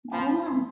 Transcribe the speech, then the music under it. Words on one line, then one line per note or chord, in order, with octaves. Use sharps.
I don't know.
F3 A5 B5
A5 B5
C6
B5